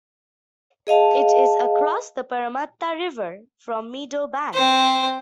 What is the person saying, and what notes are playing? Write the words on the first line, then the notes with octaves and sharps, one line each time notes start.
It is across the Parramatta River from Meadowbank.
G#4 D#5 F5 A5
C4 C5